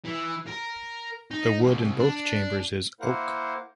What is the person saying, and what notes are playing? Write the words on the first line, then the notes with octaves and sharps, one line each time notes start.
The wood in both chambers is oak.
E3
A#4
D#4
C2
D4
A#3 E4 A#4 C5 F5 F#5